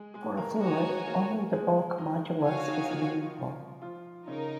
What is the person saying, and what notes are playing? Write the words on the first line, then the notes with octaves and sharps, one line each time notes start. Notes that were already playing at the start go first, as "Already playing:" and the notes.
For a fluid, only the bulk modulus is meaningful.
Already playing: G#3 G#4
G#3 G#4
A#3 A#4
A#4
G#3 D#4 F#4 G#4 C#5 G#5
A#3 A#4
G#3 G#4
D#3 D#4
F#4 C#5 F5 G#5
D#3 D#4
D#4
F3 F4
F3 F4
C#3 C#4 D#4 A#4